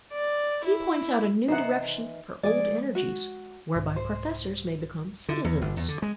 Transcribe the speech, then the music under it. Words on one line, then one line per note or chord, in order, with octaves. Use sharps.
He points out a new direction for old energies, whereby professors may become citizens.
D5
E4
C3 D#3 E3 D#4 F4 C5 F#5
F3 G#3 A#3 G#4 D5
F#4
C2 G#2
C5
D3
E2
G1
E2
D3
G#3